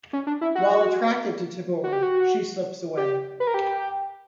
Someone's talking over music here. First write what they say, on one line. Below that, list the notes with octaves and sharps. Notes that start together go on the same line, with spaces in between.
While attracted to Tibor, she slips away.
C#4
D4
E4
F#4
F#4
G4
F#4
G4
B4
A#4
G4